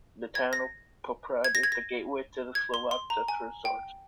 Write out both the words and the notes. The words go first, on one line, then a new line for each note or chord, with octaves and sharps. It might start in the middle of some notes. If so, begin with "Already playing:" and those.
The town of Poprad is the gateway to the Slovak Tatra resorts.
G#6
A#6
G#6
A#6
G#6
A#6
G#6
C6
C6
A#5
G#5
G5